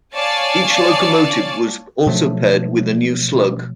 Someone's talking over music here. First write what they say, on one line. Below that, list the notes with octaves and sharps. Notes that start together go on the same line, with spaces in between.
Each locomotive was also paired with a new slug.
C#5 D5 F5 G#5 A5 A6
B2 F3 F#3 A3